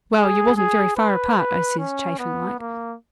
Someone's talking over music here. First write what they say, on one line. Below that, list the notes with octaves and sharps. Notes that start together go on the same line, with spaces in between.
'Well, you wasn't very far apart,' I says, chaffing like.
G#4
G#4
B4
B4
C#4
B3
A#3